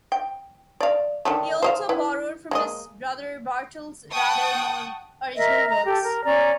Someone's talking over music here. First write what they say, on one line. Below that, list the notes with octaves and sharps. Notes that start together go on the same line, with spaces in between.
He also borrowed from his brother Barthel's rather more original works.
G5
D5 F5
D3 D#3 A3
C5 D#5 F5
E4 B4
G#3 A#3 D#5
F#5 G5 A5 C#6 D#6
A#4 D#5 E5
D#5 A#5
G4 A4
A#4
C#4 D5 A#5